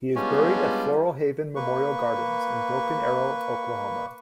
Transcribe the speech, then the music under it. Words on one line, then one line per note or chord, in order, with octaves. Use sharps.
He is buried at Floral Haven Memorial Gardens in Broken Arrow, Oklahoma.
G3 G#3 B3 C#4 D4 F4
A#3 B4 C#6